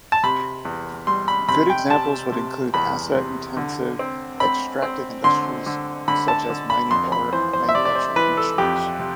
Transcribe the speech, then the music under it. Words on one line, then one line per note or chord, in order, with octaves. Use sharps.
Good examples would include asset-intensive extractive industries such as mining, or manufacturing industries.
A5
C3 B5
E2
G3 C6
B5
C3 B5
G5
C3 A5
C3
E2 B5
C3
D3
C4
C4 B5
C4
D3 C6
D3
D3 B5
A5
D3
B5
F2 C6
B5
E3 C5
C5
E5
C3 D5
D5
C5
E3 B4
A4
F2 G4
C3